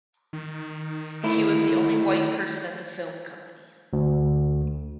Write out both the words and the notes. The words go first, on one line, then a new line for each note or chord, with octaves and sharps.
He was the only white person at the film company.
D#3
D2 A3 E4
D2